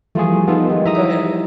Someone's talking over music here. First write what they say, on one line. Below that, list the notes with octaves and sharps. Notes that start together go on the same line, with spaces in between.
go ahead.
E3 F3 G3 A3 F4 G#4
B3 D#4 F4 G4 A4
D#3 G#3 G4
E4 E5 A#5 D#6